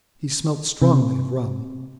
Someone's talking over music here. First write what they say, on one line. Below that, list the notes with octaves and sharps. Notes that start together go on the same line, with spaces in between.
He smelt strongly of rum.
C3